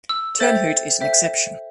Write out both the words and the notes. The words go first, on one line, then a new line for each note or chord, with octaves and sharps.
Turnhout is an exception.
E6
A4 C5 E5 G5 A6
A4 C5 E5 G5